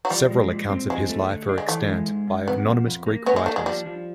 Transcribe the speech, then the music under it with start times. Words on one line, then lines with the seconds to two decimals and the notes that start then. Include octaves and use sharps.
Several accounts of his life are extant, by anonymous Greek writers.
0.05 F#3
0.10 F3 G3
0.31 G#3
0.51 A#2
0.70 C4
0.90 F3 G#3
1.09 A3
1.29 D3
1.49 D4
1.58 G#3
1.68 E3 A3
1.88 G#3
2.08 G#2
2.27 G#2
2.48 C3 B3
2.67 F3
2.87 F2
3.06 A#3
3.26 A#3 B3 C#4
3.36 G#3
3.46 A3 D4
3.56 G#3
3.66 F3 G3
3.86 F3